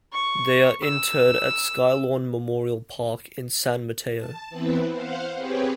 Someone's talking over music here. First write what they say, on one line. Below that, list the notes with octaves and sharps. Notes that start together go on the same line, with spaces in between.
They are interred at Skylawn Memorial Park in San Mateo.
C#6
E6
A5
E3 B3 C4 E4 B4
C5 F5 F#5
C4 G4 G#4 B4 C#5